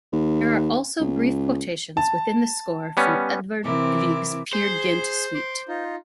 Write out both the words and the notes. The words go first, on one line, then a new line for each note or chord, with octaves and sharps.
There are also brief quotations within the score from Edvard Grieg's Peer Gynt Suite.
D#2
C#2
A5
G3 B3 C#4
C3 E3 C4 E4 A#4 D6
G#4 C5
C6 D6
D#4 F4